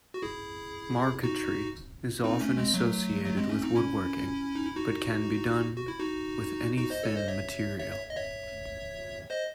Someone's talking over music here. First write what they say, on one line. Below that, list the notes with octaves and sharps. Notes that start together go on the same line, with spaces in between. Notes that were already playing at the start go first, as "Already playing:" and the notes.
Marquetry is often associated with woodworking, but can be done with any thin material.
F#4
E4 G#4
D#4 F#4
C4 D#4
A3 C#4
G#3 C4
F#3 A3
F#3 A3
G#3 C4
A3 C#4
C4 D#4
C#4 E4
D#4
E4
D#4 F#4
F#4
E4
D#4 F#4
D#4 F#4
C5 D#5
A4 C#5
C5 D#5
C#5 E5
C#5 E5
C#5 E5
D#5
C#5 E5
C5 D#5